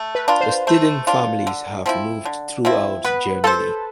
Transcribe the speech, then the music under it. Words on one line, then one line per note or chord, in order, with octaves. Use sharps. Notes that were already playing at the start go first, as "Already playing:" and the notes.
The Steding families have moved throughout Germany.
Already playing: A3
B4
D4 F4
C5
A3 C5
D4 F4
D3
F3 C4 E4
D3
F3 C4 E4
B3 B4
F4 A4 C5